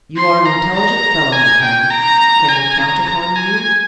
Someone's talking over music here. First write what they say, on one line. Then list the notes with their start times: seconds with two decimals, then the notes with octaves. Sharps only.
"You are an intelligent fellow, my friend; can we count upon you?"
0.16 C6
0.45 A#5
0.74 A#5
1.32 G#5
1.62 G5
1.91 A#5
2.49 G#5
2.78 A#5
3.07 A#5
3.36 G#5